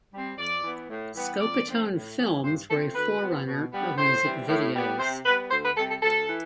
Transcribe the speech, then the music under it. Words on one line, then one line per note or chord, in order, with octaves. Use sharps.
Scopitone films were a forerunner of music videos.
G3 C4
F2 D5
E3 B3
A2
E3 G3 B3
F2 D5
D3 F3 A3 C4
A2
E3 G3
G2 C5
F3 A3 C4 A4
D2 B4
C3 F3 B3
B2
G3 B3
A2 C5
E3 G3 C4
A2
G3 B3
C3 C5
G3 B3 B4
D2 C5
B4
C3 G3 A4
A4
D2 A4
E3